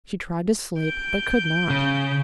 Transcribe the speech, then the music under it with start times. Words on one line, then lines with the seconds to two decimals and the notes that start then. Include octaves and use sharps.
She tried to sleep, but could not.
0.80 G6 D7
1.70 C#3